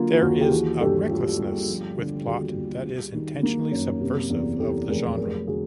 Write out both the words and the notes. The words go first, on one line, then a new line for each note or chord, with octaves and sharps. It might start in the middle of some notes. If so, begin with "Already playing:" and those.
There is a recklessness with plot that is intentionally subversive of the genre.
Already playing: D3 F#3 A#3 F4
F4
D#2 F#4
G4
E3 F#4 G#4
G2 G4 A4
A3 F4 G4
G1
F3
D3
D#2 F#4 G#4
D#2
G3
D#3
A#3
F#2
C3
E2
E3 G4 A4
F1 G#4 A#4
F#3 G#4 A#4
D3 F#4 G#4